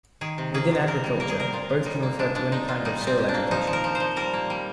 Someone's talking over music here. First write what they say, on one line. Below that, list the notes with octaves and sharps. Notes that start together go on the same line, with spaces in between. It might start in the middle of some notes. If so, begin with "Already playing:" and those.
Within agriculture, both can refer to any kind of soil agitation.
D#3 G#4
C3
A#3 G#4
C3
C3 A#4
G3
A#3 A#4
G#4
C3 A#4
A#2 F4
A#2
G3 D#4
A#3
G#3 D4
G#3 D4
G#3 D#4
A#2 F4
G3 D#4
A#2
C4
A#2
D4
A#3
F3 D#4
F3
A#4
F3
C5
F3
G3 A#4
A#3
G3